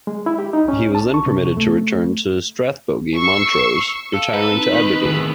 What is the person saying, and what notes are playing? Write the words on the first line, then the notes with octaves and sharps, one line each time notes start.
He was then permitted to return to Strathbogie, Montrose retiring to Aberdeen.
G#3
E4
G4
D#4
C#4
A5
C#6
C3
A3
C#6 E6 C7 C#7
A4 F5
B4 A#5
C4 D#4
D#3
A2 D#3 B3 G#4